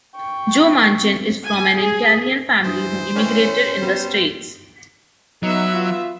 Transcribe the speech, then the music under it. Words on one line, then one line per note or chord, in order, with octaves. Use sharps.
Joe Manchin is from an Italian family who immigrated in the States.
G5 C#6
G#5
G#4
G2 E3 C5 D#6
E3 C#4 B4 C#5 D#5 G5
G3 B3
F#3 B3 D#4 E5
F4